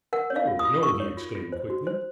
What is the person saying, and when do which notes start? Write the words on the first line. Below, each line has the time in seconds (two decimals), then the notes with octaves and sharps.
"No, no," he exclaimed quickly.
0.13 A#4 F#5
0.30 C#5
0.36 F5
0.47 F4
0.59 D#6
0.65 F4
0.82 A#4 C#6
1.00 C#5
1.17 F4
1.35 F4
1.52 C5
1.70 F#4
1.87 C5